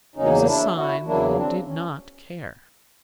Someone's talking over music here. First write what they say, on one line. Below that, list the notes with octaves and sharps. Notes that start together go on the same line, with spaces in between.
It was a sign that he did not care.
E2 C#3 F#3 A#3 C#4 D#4
D4 E4
E4 F#4
E2 C#3 F#3 A#3 D4 E4
C4 D4
C#4